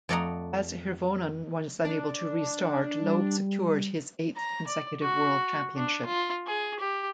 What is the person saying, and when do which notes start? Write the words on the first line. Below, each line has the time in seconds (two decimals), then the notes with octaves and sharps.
As Hirvonen was unable to restart, Loeb secured his eighth consecutive world championship.
0.09 F2 A3 D5 D#5 F#5 A#5
1.85 D4
3.01 G3
4.36 A#5
4.67 D5
5.01 F#4
5.76 D4
6.06 F4
6.47 G#4
6.79 G4